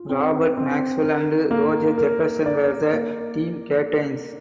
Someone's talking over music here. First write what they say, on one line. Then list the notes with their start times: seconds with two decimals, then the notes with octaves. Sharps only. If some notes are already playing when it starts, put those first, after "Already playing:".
Robert Maxwell and Roger Jefferson were the team captains.
Already playing: F4
0.09 C4
0.57 C4
1.04 A#4
1.51 A#3
1.98 A#4
2.46 D5
2.93 A#3